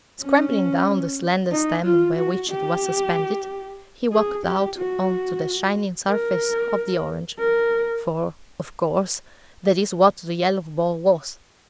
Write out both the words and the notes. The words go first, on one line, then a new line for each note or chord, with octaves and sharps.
Scrambling down the slender stem by which it was suspended, he walked out on to the shining surface of the orange; for, of course, that is what the yellow ball was.
C#4
D#4
F4
F#4
G4
G#4
G4
F#4
A#4
A#4